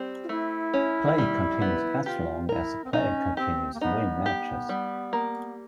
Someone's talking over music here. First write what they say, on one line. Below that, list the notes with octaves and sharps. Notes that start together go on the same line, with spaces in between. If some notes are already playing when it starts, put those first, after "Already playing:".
Play continues as long as the player continues to win matches.
Already playing: G3 C4
F4
A3 E4
C#4
G3
B3
F4 G4
E4 A#4
C4
C#4 D#4
C4 G4
A#3
B3 D#4
G4
G3
A#3